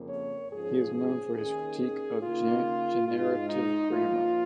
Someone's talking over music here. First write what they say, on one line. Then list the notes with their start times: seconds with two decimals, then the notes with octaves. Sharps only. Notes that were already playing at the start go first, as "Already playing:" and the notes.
He is known for his critique of generative grammar.
Already playing: F2 C#3 A#3
0.09 C#5
0.52 G#2 F3 C#4 G#4
0.94 G#4
1.37 D#2 D#3 C#4 G#4
1.79 G#4
2.22 C#3 A#3 D#4 F4
3.07 G#2 G#3 D#4 F4
3.49 D#4
3.92 A#2 F3 A#3 F4